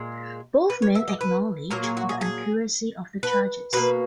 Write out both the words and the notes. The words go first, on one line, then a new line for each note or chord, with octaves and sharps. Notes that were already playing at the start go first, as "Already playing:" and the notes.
Both men acknowledged the accuracy of the charges.
Already playing: A#2 G#3
B4
C#5
E5
D#5
B4
A#2 F#3 A#3 A#4
G#4
F#4
G#4
G#4
B4
B2 A#3 B4